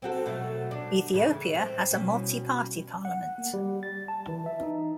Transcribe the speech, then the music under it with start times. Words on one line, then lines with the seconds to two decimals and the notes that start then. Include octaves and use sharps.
Ethiopia has a multi-party parliament.
0.02 C4 F#4 A4
0.26 B2 F#3 A3
0.71 D4
1.13 A2 C#3 E3
1.54 C4
1.91 B2 G3 C#4
3.05 F#5
3.38 A#3
3.54 G3
3.83 A6
4.08 A5
4.28 E3
4.46 E5
4.63 D#4